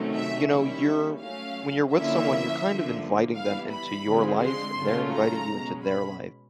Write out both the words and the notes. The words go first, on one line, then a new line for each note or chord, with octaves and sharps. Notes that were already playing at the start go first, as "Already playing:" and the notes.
y you know, you're when you're with someone, you're kind of inviting them into your life, and they're inviting you into their life,
Already playing: C3 D#3 F#3 A3 C#4
E5
D#3 G3 A#3 C#4 E4 E5
F#3 A3 C#4 F5
D3 F3 A#3 C#4 E4 E5
D3 F3 A#3
E3 G3 B3 E4 F5
B5
D3 F3 G#3 C4
C6
C#3 F#3 A3 C#4 F4
A#5
B2 G#3 C#4
B5